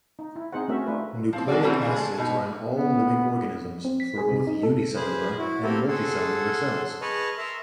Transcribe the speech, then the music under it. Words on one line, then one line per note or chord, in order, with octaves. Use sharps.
Nucleic acids are in all living organisms for both unicellular and multi-cellular cells.
D#4
E4
C4 D#4 G#4 C5 F#5
A3 C4 C#4 F#4 A#4 E5
A3 D4 D#4 F4 B4
F3 C4
F#3 G#3 C4 F#4 D5
D3 E3 F#3 G3 A3 C4
C#3 E3 F4 G#4 C5
G#3 A4
B2 D#4
B3
C4
B6
G#4
C3
D#4
A4
G#4 B4 C5
E4 F#4
A#3 C4 G4 A4 A#4
G#4 A4 F#5 C6
G#4 B4 D#5 A5 C#6 F6
A#4 E5 A#5 C6